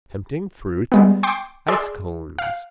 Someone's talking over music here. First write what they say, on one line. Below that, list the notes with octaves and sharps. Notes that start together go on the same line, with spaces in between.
Tempting fruit. Ice cones.
G3 G#3 B3
G5 C6 D6
G#4 D5 C6 E6
F5